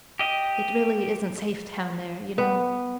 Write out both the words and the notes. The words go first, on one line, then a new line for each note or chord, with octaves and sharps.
"It really isn't safe down there, you know."
G4 D#5
B3